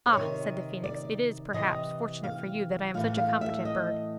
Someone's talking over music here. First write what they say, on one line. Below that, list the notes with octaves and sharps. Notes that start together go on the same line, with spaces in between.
'Ah!' said the Phoenix, 'it is perhaps fortunate for you that I am such a competent bird.'
C5
C3 D#3 C#5
D5
C3 E3 D#5
F5
A2 E3 F5
F5
E5
D#5